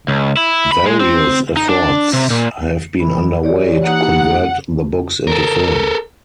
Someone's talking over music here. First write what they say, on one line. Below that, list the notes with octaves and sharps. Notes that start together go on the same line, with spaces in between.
Various efforts have been under way to convert the books into film.
C#2
E4
B5
G#3
C4
D#4
D4
C3
A#2
E3 B5
E3 G4 C#5 D5
A#3 D#4 G4 F#5
A4 A#4